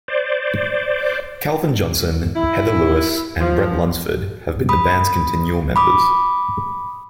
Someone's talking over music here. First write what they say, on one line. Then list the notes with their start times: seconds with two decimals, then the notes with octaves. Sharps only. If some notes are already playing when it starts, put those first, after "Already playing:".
Calvin Johnson, Heather Lewis, and Bret Lunsford have been the band's continual members.
0.08 C5 D5
2.35 E4
3.40 F3
4.69 B5 D#6
5.76 B5 D6 D#6